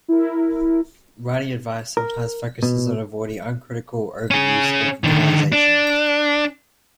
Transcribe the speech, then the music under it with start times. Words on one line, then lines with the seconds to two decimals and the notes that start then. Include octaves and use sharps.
Writing advice sometimes focuses on avoiding uncritical overuse of nominalization.
0.08 E4 A#4
1.97 A#4
2.63 B2
4.31 C#4 G#4
5.04 D3 D#3
5.52 D4